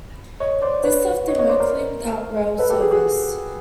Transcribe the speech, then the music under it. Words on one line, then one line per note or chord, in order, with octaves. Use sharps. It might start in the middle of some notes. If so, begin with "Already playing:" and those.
This left Immokalee without rail service.
C#5 D#5
C5 D5
B4 C#5
C#5 D#5
C#5 D#5
C5 D5
A#4 C5
A4 B4
G4 A4
F#4 G#4
F#4 G#4